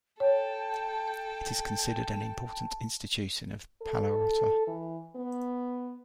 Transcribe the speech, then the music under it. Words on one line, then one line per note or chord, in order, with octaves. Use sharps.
It is considered an important institution of Paleorrota.
A4 C#5 G5 A5
A4
E3
B3